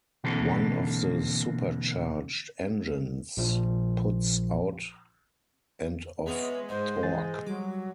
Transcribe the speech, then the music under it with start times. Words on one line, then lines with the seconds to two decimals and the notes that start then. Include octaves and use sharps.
One of the supercharged engines puts out and of torque.
0.24 B2 D3 E3 A#3 C4 A4
3.37 A#1 F3
6.26 E3 G#3 B3 C#4
6.69 G#2 C5
7.03 E3 G#5 A6
7.47 F#3 G3 D6